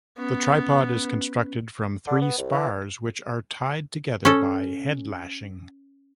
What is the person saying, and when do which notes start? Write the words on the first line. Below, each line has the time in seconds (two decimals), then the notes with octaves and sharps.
The tripod is constructed from three spars, which are tied together by head-lashing.
0.18 B3 C#4
2.07 D3
2.21 B3
2.38 C2
2.52 E3
4.25 C#4 A4